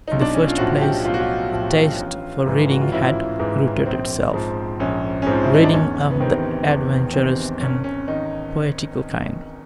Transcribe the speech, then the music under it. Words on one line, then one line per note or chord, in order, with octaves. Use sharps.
In the first place, a taste for reading had rooted itself--reading of the adventurous and poetical kind.
B1 D#4
D4
C#4
F4
A2 F3 F#4
G4
B1 F4
F#4
F4
A2 F3
A1
G#2 E3
F#4
F4
A1 E4
G#2 E3
A#1 C4
G#2 F3
A#1 C#4
C#4
G#2 F3 C4
E4
D#4
D4
E2 C#4
B3
C3 D#3 C4
E2 B3
C3 D#3 C4
G#1 C#4
C#4
D#3 D#4